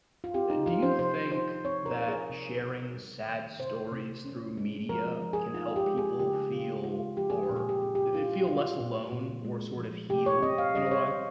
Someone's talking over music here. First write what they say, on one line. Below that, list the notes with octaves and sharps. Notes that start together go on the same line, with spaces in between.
Eh, do you think that sharing sad stories through media can help people feel, or eh, feel less alone, or sort of heal, in a way?
F4
C4 G4
D#4
F3 F4
C5
C3 C5
D#4 C5
C4 C#5
A#4
F3 A#4
G#4
C3
C3
G3
D#3
C3 C5
C3
C#4
G#3
F3 A#4
F3
G#4
D#4 F4
G4
G#3
G#4
C#3 G4
C#3 F4
G#3 F4
F3 G4
G#4
G4
A#2
G#4
G4
C4 G#4
G4
C#4 F4
G3 F4
A#2
A#2
G#3
F3
C3 G4
C#5
C4 D#5
F5
G3 D#5
C5
C#5
D#3 D#5